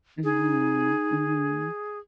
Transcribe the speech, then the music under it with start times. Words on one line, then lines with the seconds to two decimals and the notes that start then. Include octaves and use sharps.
Mhm, mhm.
0.24 D#4 G#4